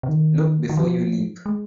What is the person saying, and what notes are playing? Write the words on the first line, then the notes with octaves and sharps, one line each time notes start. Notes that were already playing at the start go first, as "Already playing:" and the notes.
Look before you leap.
C3
D#3
D#3
F3
G#3